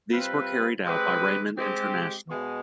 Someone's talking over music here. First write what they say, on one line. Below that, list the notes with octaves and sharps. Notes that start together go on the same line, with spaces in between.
These were carried out by Raymond International.
C3 G3 C4 F4 B4
G#3 C4 G4 B4
G#3 C4 G4
B2 G#3